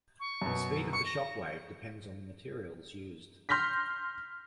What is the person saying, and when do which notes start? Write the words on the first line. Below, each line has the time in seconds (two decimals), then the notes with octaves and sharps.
The speed of the shock wave depends on the materials used.
0.20 C#6
0.42 F#2 B2
0.93 C#6 C#7
1.06 A#6
3.49 C6 F6 G6 A#6 B6